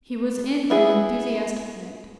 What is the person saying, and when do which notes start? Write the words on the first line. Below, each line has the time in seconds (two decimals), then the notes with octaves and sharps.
He was in an enthusiastic mood.
0.70 B3 E4 G#4